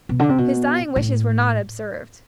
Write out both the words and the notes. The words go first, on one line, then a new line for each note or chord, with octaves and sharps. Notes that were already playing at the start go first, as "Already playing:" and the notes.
His dying wishes were not observed.
B2
D3
C3
B2
A2